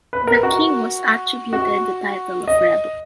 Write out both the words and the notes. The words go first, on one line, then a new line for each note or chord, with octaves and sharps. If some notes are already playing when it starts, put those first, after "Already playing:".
The King was attributed the title of rebel.
B4
A#4
F#4
F#4
D#5